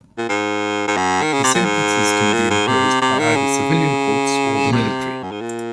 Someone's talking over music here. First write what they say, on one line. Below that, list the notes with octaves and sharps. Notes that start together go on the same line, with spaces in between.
The sentences can be imposed by either civilian courts or the military.
A#2
G#2
G#2
F#2
D#3
C#3
C3
A#2
G#2
A#2
G#2
C3
C3
D#3
C#3
C3
F#2
G#2
A#2